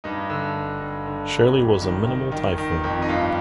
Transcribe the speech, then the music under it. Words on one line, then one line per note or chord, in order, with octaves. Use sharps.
Shirley was a minimal typhoon.
G2 D#4
D3
G2
G2
D3
G2
F2
D#3
D#3
D#3
D#3
F2
D#4
G2 F4